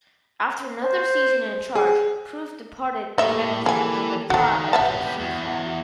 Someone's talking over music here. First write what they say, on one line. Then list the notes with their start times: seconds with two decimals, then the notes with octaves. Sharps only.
After another season in charge, Prouff departed Rennes and the club entered free-fall.
0.84 C5
1.75 G#4
3.18 A2 A3 A#3 G4 A4 D#5 E5
3.66 E3 G#4 G#5
4.30 D#3 F#4 A4 F5
4.73 B3 G4 B4 E5 F#5 A5
5.20 E2 F#4